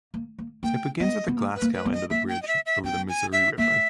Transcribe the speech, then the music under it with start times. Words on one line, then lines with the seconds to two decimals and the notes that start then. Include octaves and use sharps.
It begins at the Glasgow end of the bridge over the Missouri River.
0.14 A#3
0.39 A#3
0.63 A#3 G5
1.00 B3 D#5
1.28 B3
1.37 A#3
1.56 B4
1.62 A#3
1.73 B4
1.86 B3
1.92 D#5
2.10 A#3 E5
2.28 G5
2.42 D#5
2.48 E5
2.66 E5
2.83 B3 G5
3.09 G#5
3.32 E5
3.58 A#3 E5